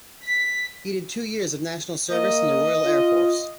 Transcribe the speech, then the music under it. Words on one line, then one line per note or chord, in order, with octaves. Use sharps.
He did two years of national service in the Royal Air Force.
B6
A#3 D#5
F4